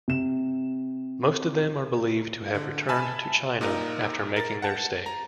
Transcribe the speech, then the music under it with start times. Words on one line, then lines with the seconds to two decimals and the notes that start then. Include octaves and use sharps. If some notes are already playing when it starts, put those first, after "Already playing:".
Most of them are believed to have returned to China after making their stake.
0.08 C3 E7
2.55 D3
2.88 E5 G#5 A5 B5
3.61 A#2 D#4 A#4
4.36 A#4 A6
4.62 F#5 A5
5.06 A#5